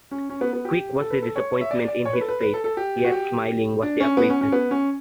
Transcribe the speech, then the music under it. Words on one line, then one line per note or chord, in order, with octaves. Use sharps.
Quick was the disappointment in his face, yet smiling was the acquiescence.
C#4
C#4
B3
B3
G4
A4
B4
A4
C#5
E5
D5
D5
C#5
B4
A4
B4
B4
A4
A4
G4
F#4
G4
D4
C#4
B3
C#4
C#4
B3
C#4